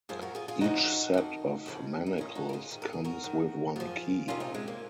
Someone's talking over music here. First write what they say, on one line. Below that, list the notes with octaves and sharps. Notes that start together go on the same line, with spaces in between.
Each set of manacles comes with one key.
F#2 F3 F4 G#4
F#4 A#4
F4 G#4
F4 G#4
F2 C#3 F3 D#4 F#4
F2 D#3
D#2 C#3 F3
D#4
D#2 D#3 C#4 F4
D#4 F#4
A#4
F4 G#4
G#2 D#3
A#4
G#4
F#4 A#4
F#2 D#3
F#2 F3 F4 G#4
F2 C3 D#3 C#4 F4
C4 D#4
G#3 C4
A#3